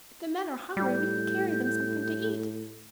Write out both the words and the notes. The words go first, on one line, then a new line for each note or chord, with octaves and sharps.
If the men are hungry we could carry them something to eat.
A2 G3 G6